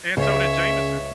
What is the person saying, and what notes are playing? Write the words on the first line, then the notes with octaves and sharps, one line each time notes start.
and so did Jameson.
C#2 C#3 C5 C#5 E5